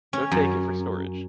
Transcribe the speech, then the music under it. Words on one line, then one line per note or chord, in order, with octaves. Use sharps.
Go take it for storage.
C#4
F#2